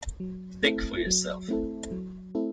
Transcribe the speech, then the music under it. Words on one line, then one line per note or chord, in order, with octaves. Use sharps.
Think for yourself.
F#3
A3 C4 E4 A4
F#3
A3 C4 E4 A4
F#3
A3 C4 E4 A4